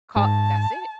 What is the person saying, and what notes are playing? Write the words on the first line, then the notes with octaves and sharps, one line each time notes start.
Call That's it.
G#2 A5